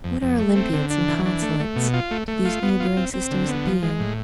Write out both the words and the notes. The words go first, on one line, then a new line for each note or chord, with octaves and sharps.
What are Olympiads and Consulates to these neighboring systems of being?
F2
F2
A3
C4
D3
D4
E3
D4
A3
A3
B2
F4
A3
A3
F4
B3
F4
C4
C4
D3
B3
F3
G#3
A2